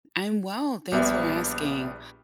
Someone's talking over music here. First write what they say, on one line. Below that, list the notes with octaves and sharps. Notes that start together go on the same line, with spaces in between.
I'm well, thanks for asking.
A#1 G3 B3 E5